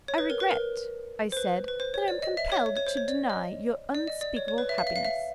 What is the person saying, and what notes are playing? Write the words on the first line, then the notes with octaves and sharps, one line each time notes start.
'I regret,' I said, 'that I am compelled to deny you unspeakable happiness.'
C#5
B4
A#4
B4
A#4
C5
B4
B4
C5
C#5
D5
D#5
E5
C#5
C#5
C#5
C5
C#5
D5
D#5
D5
D#5
D5
C#5
C#5
B4
E5
F5
E5
F5
E5